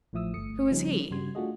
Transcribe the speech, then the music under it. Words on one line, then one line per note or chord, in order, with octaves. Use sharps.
"Who is he?"
A1 A2 F3 E5 D#6 E6
G1 A3 D#6 C#7
C#3 F3 G3 C#4 D#4
G2 C#3 G3 F#4 C6 G#6
A3 D4 F4 F#4 G#4 D#5